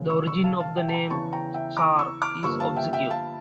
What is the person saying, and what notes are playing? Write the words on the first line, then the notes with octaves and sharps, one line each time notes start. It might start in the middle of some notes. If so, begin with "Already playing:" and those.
The origin of the name "Czar" is obscure.
Already playing: E1 D2 C#3
C#6 E6
C#6 E6
F5 A5
F5 A5
E5 G5
A5
G5 A#5
E2 C#3 E3 A5 C#6
G5 A#5
E5 G5
A#5 D6
C#6 E6
D6 F6
G1 G2 F3 A#3 C#6 E6
F5 A5
E5 G5
E5 G5
F5 A5